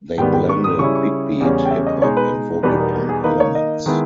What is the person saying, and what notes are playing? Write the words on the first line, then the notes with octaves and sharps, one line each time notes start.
They blended big-beat, hip hop, and vocal punk elements.
G#2 D#3 G3 B3 G5
G5
C#6
D#6
C#3 G3 C#4 E4 C#6
C#6
E2 C#3 G3 C#4
G5
E5
D#5
B2 G#3 D#4 C#5
B4
E2 B2 G3 B3 D#4 B4
A#4
A#4
G#4
D#3 A#3 D#4 B4
C#5
D#5
D#3 G#3 B3 E4